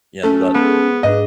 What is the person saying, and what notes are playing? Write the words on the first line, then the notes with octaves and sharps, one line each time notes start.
Yeah, th that
A3 C#4
G#3 B3 C5
G#2 D4 B4 D#5